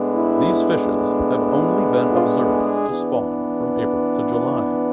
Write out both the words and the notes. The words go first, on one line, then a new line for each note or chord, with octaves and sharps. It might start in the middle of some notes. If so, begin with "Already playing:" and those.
These fishes have only been observed to spawn from April to July.
Already playing: A2 G#3 B3 D4
E4
F4
G#4
E3 B3 D4